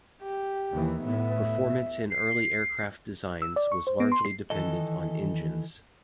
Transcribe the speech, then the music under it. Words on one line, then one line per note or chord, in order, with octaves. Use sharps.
Performance in early aircraft designs was largely dependent on engines.
G4
D#2 D#3 E3
A2 B3 E5
C7
E6
D5
C#6
C5
B3
C6
C7
D#3 E3 A4 D#5